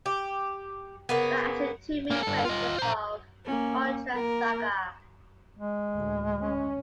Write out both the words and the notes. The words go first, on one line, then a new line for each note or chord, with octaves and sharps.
There are actually two main versions of "Gautreks saga".
G4
C#3 A#3 B3
A#3 C#4
G2 A4
F4 D#5
C5 A#5
A#3 C#4
A#3 A#4
G#3
D2 A2
C#4